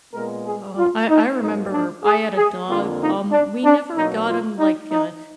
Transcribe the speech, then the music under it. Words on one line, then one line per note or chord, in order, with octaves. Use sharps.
Oh, I I remember I had a dog, um, we never got him, like, uh,
A#2 G#3 B3 A#4
G#4
F4
D#4
G#2 F#3 A#3 D#4
D4
G#4
G#4
F2 D3 F3 A#3 F4
D#4
D4
D4
B2 F#3 A#3 D#4
F4
D#4
D#4